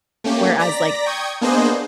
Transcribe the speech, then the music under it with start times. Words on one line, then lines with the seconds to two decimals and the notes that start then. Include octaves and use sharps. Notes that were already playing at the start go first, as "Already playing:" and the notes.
whereas, like,
0.24 A3 A#3 C#4 G4
0.60 D5 A#5 A#6 B6
1.06 G5 C#6 D#6 G#6
1.41 A#3 B3 D4 G#4 C5 D#5